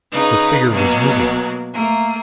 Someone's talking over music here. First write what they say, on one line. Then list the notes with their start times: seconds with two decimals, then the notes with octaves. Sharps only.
The figure was moving.
0.11 C#3 D#4 B4 A#5
0.72 B2 F#3 A#3 B3
1.73 A3 A#3